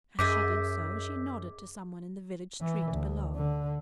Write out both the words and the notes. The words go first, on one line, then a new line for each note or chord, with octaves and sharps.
As she did so she nodded to someone in the village street below.
F#2 G#4 D#5 E5 D6 E6 G6 B6
E3
D2
D3